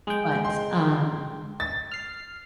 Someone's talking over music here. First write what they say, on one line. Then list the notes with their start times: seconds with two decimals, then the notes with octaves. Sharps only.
but, um,
0.07 G#3 G5
0.45 C6
1.60 A6
1.91 F6 C7